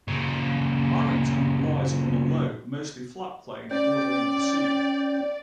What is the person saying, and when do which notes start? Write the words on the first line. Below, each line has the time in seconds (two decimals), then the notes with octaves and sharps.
Barrington lies on a low, mostly flat plain bordering the sea.
0.08 A#2 C#3
3.71 C#4 D5 G5